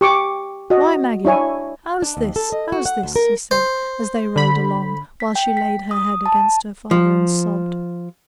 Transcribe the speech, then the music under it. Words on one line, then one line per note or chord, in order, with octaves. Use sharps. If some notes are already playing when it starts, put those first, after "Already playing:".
"Why, Maggie, how's this, how's this?" he said, as they rode along, while she laid her head against her father and sobbed.
G4 C#6 D6
F#4 D#5
D4 E4 C#5 G#5
D4
D#2
A4
D#5
F#4
F#5
D2
A#4
C5
D3 B5
B6
G5
B6
D#6
A5
F3